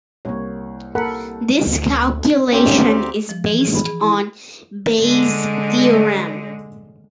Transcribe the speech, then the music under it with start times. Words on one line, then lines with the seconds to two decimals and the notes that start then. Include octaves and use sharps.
This calculation is based on Bayes' theorem.
0.25 C2 A#3 C#5
0.95 A#3 A4 A#4 F#5 B5
1.67 D2
2.52 D2 C4 C#4 G4
3.29 F3
3.46 E3
3.61 G#4
3.75 B5
3.86 G#4
4.01 E4
5.01 D3 G#3